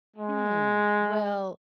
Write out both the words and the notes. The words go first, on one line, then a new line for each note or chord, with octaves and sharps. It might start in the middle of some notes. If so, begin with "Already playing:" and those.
Hmm. Well,
G#3